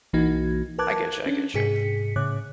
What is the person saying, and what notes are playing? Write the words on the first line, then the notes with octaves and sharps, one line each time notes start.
I get you, I get you.
B1 E3 A#3 D#4 F#4 G#6
A#4 B4 A5 D6 F#6 G#6
C#4 D4
G#2 C3 G#4 B6 C#7
A2 C#3 C#5 D6 F#6